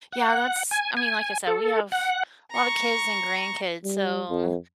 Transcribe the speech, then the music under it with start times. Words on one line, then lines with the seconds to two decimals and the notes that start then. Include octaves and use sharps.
Yeah, that's I mean, like I said, we have a lot of kids and grandkids, so,
0.12 F#5
0.71 G#5
0.97 G#5
1.47 A4
1.92 F#5
2.51 A#5 C#6
3.84 G3
4.30 F2